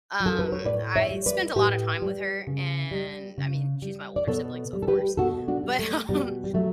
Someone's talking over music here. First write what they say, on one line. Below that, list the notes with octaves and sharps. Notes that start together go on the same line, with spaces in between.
um, I spent a lot of time with her and, I mean, she's my older sibling, so of course, but, um,
F#3
A4
B4
C#5
A2 B4 D5
C#5 E5
G3
B4 D5
A2 G4 B4
G3
C#3
G3
C#3
G3
D5
B2 A4 C#5
G3
A4
G4 B4
B2 F#4 A4
D4 F#4
G3
A3
B2 G3
G3
F#3 A3